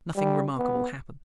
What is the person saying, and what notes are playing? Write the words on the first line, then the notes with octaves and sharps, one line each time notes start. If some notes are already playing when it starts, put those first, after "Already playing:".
Nothing remarkable hapened.
G3
B3